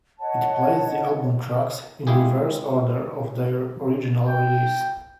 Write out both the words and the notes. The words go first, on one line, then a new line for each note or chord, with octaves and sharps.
It plays the album tracks in reverse order of their original release.
C#5 D#5 F#5 A5
G#3 E4 F4 G4 G#4
G5